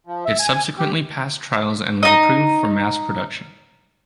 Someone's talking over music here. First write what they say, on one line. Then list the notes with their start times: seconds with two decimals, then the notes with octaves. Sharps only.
It subsequently passed trials and was approved for mass production.
0.07 F3
0.25 E5
0.39 G#5
0.78 G4
2.03 D#4 D#5